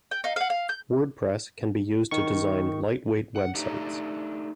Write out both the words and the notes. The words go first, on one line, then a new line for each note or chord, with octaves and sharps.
Wordpress can be used to design light weight websites.
G5
D#4 F5
F5 F#5
F5
G6
D#3 C#6
F#5
A3 D4 D#4 G4